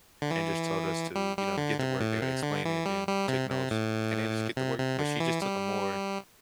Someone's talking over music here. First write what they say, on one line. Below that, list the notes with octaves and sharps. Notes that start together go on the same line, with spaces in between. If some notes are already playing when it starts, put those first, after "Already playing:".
and just told us to, you know, get the work, they would explain it, then take notes, and then just get the work, but she just took a more
D3
E3
G3
G3
D3
C3
A2
C3
D3
E3
G3
G3
C3
C3
A2
C3
C3
D3
E3
G3